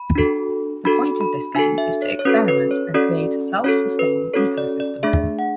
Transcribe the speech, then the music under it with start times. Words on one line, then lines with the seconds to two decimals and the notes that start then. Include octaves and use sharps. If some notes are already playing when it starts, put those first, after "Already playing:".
The point of this game is to experiment and create a self-sustaining ecosystem.
Already playing: B5
0.15 D4 F#4 A4
0.85 D4 F#4 A4 B5
1.21 B5
1.55 D4 F#4 A4 G#5
1.78 E5
2.02 C#5
2.19 C#5
2.25 C#4 F#4 A4 B4
2.48 B4
2.71 C#5
2.94 C#4 F#4 A4 D5
3.64 C#4 F#4 A4 C#5
3.99 B4
4.34 C#4 F#4 A4 C#5
4.58 D5
4.80 D5
5.03 A3 D4 G#4 E5
5.39 F#5